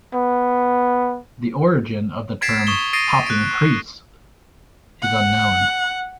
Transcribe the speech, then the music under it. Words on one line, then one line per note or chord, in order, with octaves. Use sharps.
The origin of the term "popping crease" is unknown.
B3
G#6 A6 B6 C7 D7 E7
C#6 D#6 E7 G7
D#6 A6 A#6 C7 D7 D#7
F#6 G#6 D7
F#5